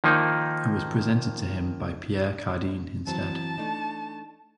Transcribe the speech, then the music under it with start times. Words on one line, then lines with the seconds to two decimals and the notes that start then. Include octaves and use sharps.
It was presented to him by Pierre Cardin instead.
0.04 D#3 F3 A#3 D#4
3.07 E3 F#3 C4 A5
3.58 A3 D4 D#4